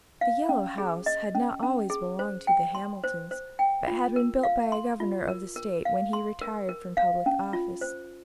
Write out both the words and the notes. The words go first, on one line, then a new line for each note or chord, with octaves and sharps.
The Yellow House had not always belonged to the Hamiltons, but had been built by a governor of the state when he retired from public office.
F5
C#4
G#4
D#5
C#4
C#4
G#4
C5
G5
C6
C5
C5
G5
F4
A#4
F5
C6
F4
A#4
A#4
F5
C6
A#4
A#4
F5
C#4
F4
C5